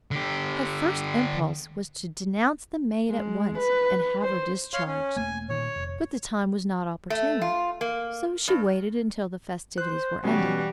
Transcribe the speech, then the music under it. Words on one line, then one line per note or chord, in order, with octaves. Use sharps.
Her first impulse was to denounce the maid at once, and have her discharged; but the time was not opportune, so she waited until the festivities were ended.
D3 G4
G#3
B4
C5
C#5 F5 C6
C#4
E1 A3 A#3 G#5
A#2 D#3 C#5
F1
A3
F4
A#3
G2
C5 F#6
B2 E3 G3 C#4 F#4